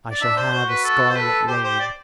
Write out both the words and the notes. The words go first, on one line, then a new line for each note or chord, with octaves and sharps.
I shall have a scarlet robe.
D5
D4 E5
C5
F#4 C5
B4
A4
C5
A4 B4
G4 C5
C5
D5